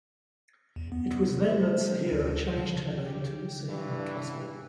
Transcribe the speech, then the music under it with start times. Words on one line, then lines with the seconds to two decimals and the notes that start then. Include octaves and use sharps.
It was then that Sahira changed her name to Sahira Kazmi.
0.76 E2
0.92 B3
1.48 C5
2.12 D2
2.57 C#3
3.06 G4
3.69 G2 E3